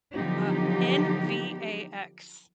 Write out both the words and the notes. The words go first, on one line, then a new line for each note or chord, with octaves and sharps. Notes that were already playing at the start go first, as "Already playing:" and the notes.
Uh, N-V-A-X.
D3 F3 F#3 B3 D#4 G4